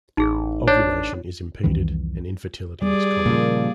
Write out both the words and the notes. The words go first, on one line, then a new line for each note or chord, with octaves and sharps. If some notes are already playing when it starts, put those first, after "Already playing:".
Ovulation is impeded, and infertility is common.
A1 D#4 G#4
D4 C#5
C2 F2 D#3 E3
G3 G#4 D5
A#2 C#3 F3 A#3